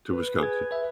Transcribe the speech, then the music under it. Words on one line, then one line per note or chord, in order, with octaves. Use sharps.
to Wisconsin.
B4
G#4 G#6
B4 E5